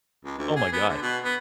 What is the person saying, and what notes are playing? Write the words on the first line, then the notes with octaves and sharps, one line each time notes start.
Oh, my god,
C#2
D2
G#4
B3
D3
B2
B3